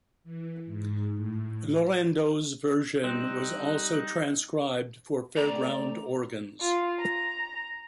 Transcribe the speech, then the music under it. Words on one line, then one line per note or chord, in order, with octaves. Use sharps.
Laurendeau's version was also transcribed for fairground organs.
E3
G#2
A2
G3 C4 D#4 F#6
A3 C4 D5 A#5
F4
A#5